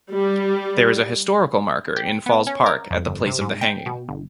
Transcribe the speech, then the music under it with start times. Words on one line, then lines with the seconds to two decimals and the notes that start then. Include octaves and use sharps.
There is a historical marker in Falls Park at the place of the hanging.
0.12 G3
1.96 G4
2.26 B3
2.47 C#4
2.66 A#4
2.91 F2
3.07 G1
3.26 C3
3.41 G#2
3.61 G5
3.86 B2
4.09 G1